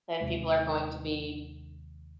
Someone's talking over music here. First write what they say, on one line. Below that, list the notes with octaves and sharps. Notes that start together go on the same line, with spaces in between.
then people are going to be
D#2 C3 G#3